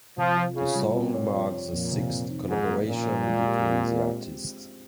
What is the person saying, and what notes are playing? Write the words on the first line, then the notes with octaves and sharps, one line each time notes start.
The song marks the sixth collaboration between the artists.
C3 F3
F4
C#3 F4
G3
A#2 C4
C#5
F3
C#5
F2 A#2
C3
C3
D#3
G#2 F3
A#3
A#2 C#4
F3
G#3
G4
C4